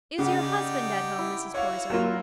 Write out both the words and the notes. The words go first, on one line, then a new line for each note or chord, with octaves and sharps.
"Is your husband at home, Mrs. Poyser?"
C#3 D#4 G4 D5 F#5
E4
F#4 C#5 F5
F#3 A#3 F4 E6